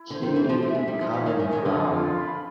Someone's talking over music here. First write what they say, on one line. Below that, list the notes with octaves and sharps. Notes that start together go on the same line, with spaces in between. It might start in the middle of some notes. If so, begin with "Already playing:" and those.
he coming from,
Already playing: E4
D3 C5
D#3
E3 D4
F3
A3 E5
G#3
G3 D#4
F3
E3 C#4
D#3
D#3 C#4
D#3
D3 F4
F4
B5